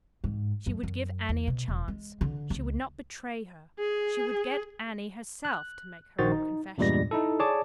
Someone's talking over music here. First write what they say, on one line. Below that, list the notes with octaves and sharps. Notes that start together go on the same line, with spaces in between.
She would give Annie a chance, she would not betray her, she would get Annie herself to make her own confession.
G#2
F#2
F#2
E2
B2
E1
G#3
D3
C#2
G#4
F#6
A#1 D#3 F#4 C5 A6
D#4
E2 G2 A#2 G3 G#3 A#6
D#4 E4 A4
G#4 C#5 D5 A5 D6